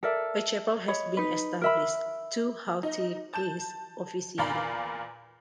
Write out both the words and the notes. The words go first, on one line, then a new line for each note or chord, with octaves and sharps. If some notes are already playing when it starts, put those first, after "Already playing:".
A chapel has been established, two haughty priests officiating.
A4 A#4 D5 E5
C#5 D#5 B5
D#4 B4
A#4 E5 B5
D#4
A5 G6 E7
E2 A#2 D5 F5 A#5 B5